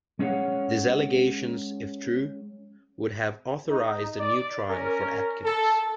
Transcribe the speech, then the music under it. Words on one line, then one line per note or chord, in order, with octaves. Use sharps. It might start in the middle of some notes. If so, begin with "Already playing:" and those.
These allegations, if true, would have authorized a new trial for Atkins.
G#3 C#4 G#4 C#5 F5 F#5
D#4
D5
C#4 A#4
A4